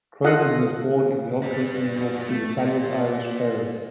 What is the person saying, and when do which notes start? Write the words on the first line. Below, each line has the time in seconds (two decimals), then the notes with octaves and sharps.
Cronin was born in Yonkers, New York to Italian-Irish parents.
0.24 F4 A4 D#5 F5 F#5
1.43 G3 B4
2.29 A3
2.58 A#2 A#3